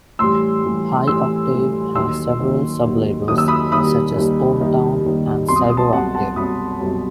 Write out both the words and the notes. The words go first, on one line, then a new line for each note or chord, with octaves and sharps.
High Octave has several sub-labels, such as OmTown and CyberOctave.
A2 E3 G3 C6 E6
A2 E3 G3
A2 E3 G3 C6 E6
A2 E3 G3
D#2 D#3 F#3 C6 E6
D#2 D#3 F#3
D#2 D#3 F#3
D#2 D#3 F#3 D#6
E6
B5 D#6
D#2 D#3 G3 B5 D#6
D#2 D#3 G3
D#2 D#3 G3
D#2 D#3 G3
C2 B2 F#3 C6 D#6
C6
D#6
A5 C6
C2 B2 F#3 F#5 A5
F#5 A5
C2 B2 F#3 B5 D#6
C2 B2 F#3